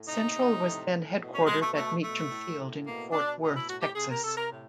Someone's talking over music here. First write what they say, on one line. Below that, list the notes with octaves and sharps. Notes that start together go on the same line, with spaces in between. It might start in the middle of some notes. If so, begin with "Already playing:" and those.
Central was then headquartered at Meacham Field in Fort Worth, Texas.
Already playing: A2
C3 D#4
C3
A2
A2
B2
C#4
B2 G#3
A3
B2 A3
B2 A3
A2
A2
B2 A#3
B2 D4
A2 D#4
E4
A2 F#4
G4
C3 G#4
A#4
C3 A4
A#4
A2